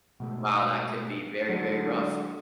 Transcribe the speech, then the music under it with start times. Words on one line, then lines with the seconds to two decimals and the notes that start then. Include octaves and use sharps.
wow, that could be very, very rough.
0.20 B2 G#3 A3
1.49 D3 F#3 G#3